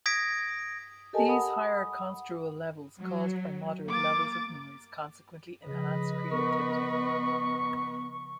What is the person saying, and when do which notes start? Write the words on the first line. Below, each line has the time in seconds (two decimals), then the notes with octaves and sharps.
These higher construal levels caused by moderate levels of noise consequently enhance creativity.
0.06 D#6 G#6 A#6 B6 D7
1.13 G4 A4 A#4 D#5 G#5 A5
1.27 F#5 B5 D#6
2.99 F#3
3.88 A#3 D6 A6
5.67 C#3 F3 G#4 B4 D#5
6.31 B3 A#4 C#6